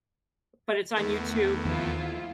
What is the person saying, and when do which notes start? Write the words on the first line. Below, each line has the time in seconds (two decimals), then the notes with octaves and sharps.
But it's on YouTube
0.96 E2 D#3 A3 B3
1.65 D#2 F3 E4 F4